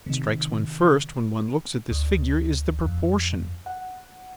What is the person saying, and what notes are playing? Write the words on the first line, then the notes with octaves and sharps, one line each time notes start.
What strikes one first when one looks at this figure is the proportion.
C3 D#3
D2
F2
F#5